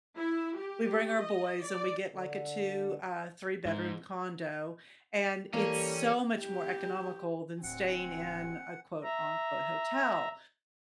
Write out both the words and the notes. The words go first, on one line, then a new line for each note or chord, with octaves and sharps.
We bring our boys and we get, like, a two, uh, three-bedroom condo, and it's so much more economical than staying in a quote, unquote “hotel.”
E4
G4
D#5
D5
D3
G#2
E3 G3 A#3 C#4 A4
G4
D1 C4 F#5 G#5
E5 A#5